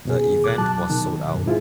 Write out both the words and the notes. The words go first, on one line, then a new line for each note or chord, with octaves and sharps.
The event was sold out.
D#2 B2 G#4
D6 F#6
F#3 A5
B2 D#3
F#2
G#2 E4 F4 G#4